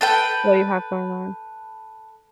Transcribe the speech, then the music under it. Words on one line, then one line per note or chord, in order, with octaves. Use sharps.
what do you have going on.
A4 B4 G5